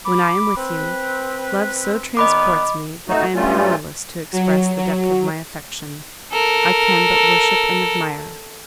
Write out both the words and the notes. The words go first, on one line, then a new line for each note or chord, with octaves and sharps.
When I am with you, love so transports me that I am powerless to express the depth of my affection; I can but worship and admire.
B5 D6
C4 B4
A#2 D#3 B3 D#5 B5 D6
A3 D#4 F#4
G2 F#3 G3 A3 C#4 F4
F#3
F#3
A4 A#4